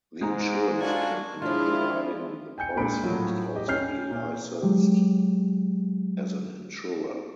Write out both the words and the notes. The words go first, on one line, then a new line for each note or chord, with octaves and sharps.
The insurance company providing the policy must also be licensed as an insurer.
G#2 G#3 A#5
D4 D#4 F4 F#4 A4 G#5
F3 G#3 D4 E4 F4
G5 G#5 G6 C#7
A#2 G#3 D4 B5 D7
A2 F3 F#3
G4 D#5
C#4 G5 F6 G6 C7
A#2
F#3 G#3 G4